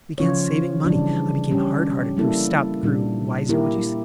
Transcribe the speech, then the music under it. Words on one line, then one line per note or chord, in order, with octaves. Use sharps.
I began saving money, I became hard-hearted, grew stout--grew wiser, would you say?
C#3 F3 C#4 F4 C#5
C#3 E3 G3 D4
G3 C#4 G4
G3 A#3 E4 A4
A#2 G3 D4
A#3 E4 G4 A#4